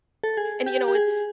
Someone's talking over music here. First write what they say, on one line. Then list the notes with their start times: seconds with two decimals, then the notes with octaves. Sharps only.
and you know, it's
0.24 A4
0.37 G#4
0.66 G4
0.88 G4
0.95 G#4